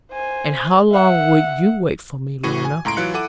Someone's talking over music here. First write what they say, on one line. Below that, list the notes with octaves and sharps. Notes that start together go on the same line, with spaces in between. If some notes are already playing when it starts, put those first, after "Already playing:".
And how long would you wait for me, Lorna?'
C5 G#5
E5 F#5
A2 E3 F#4 F#5 C#6 D#7
G#5
C#2 A2 A#5 C6 D7
E3 F#3 F4 F#6 C#7
E4 A4 F#5 D6 D#7